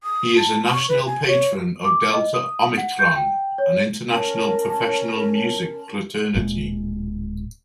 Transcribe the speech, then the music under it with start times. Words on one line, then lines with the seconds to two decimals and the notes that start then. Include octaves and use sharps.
He is a National Patron of Delta Omicron, an international professional music fraternity.
0.03 D#6
0.36 A5
0.73 C#6
0.89 B4
1.06 G#5
1.27 C#5
1.85 D6
2.13 D#5
2.34 D#6
2.78 F#5
2.99 G6
3.16 G5
3.58 C#5
4.10 C#4 A#4 A5
6.35 D1 A#2 G#3